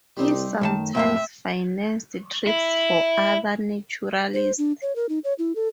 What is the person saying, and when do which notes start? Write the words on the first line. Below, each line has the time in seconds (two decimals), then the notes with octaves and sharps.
He sometimes financed trips for other naturalists.
0.17 C2 G3 C4 D#4
0.61 F#2 D#3 A3 A5
0.95 B1 F2 A2 C4 E5
2.47 E4
4.33 C5
4.58 D4
4.82 C#5
4.96 A#4
5.09 D#4
5.24 C#5
5.39 E4
5.56 A4